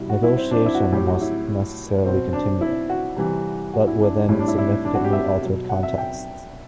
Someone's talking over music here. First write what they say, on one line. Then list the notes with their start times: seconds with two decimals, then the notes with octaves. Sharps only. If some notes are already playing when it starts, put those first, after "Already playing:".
Negotiation must necessarily continue – but within significantly altered contexts.
Already playing: B2 G3 E4
0.09 F#4
0.23 E4
0.37 C4
0.51 D4
0.65 E4
0.75 F#4
0.92 A2 F#3 G4
1.07 F#4
1.21 E4
2.05 B2 F#3 C4
2.33 D4
2.61 E4
2.89 F#4
3.17 C3 E3 G3
3.73 F#4
3.87 E4
4.01 D4
4.29 A2 G3 E4
4.39 D4
4.48 E4
4.58 E4
4.85 D4
4.95 F#4
5.04 G4
5.13 E5
5.41 B2 F#3
5.69 F#5
5.83 E5
5.98 G5